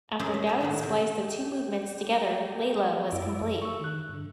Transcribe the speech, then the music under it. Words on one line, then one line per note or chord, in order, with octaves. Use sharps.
After Dowd spliced the two movements together, "Layla" was complete.
F#2 A#2 C#4 G4 G#4 A5
E5
G4 E5
A2 D#3 B3
E2 C3 F#4
G4
F#2 E4 D5
C#6 E6
D#3 F#6
G2 D3